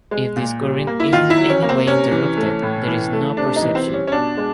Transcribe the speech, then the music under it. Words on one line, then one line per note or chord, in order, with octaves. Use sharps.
If this current is in any way interrupted, there is no perception.
G#3
A#2
G3
A#3
E4
D#3 F4
E4
F#3
C#4
A#3
C4
C3 C#4
E3
A3
A2
E3
A3
C3 D4
D#4
E3
C4
G3
C#4
C#4
B2 D4
G#3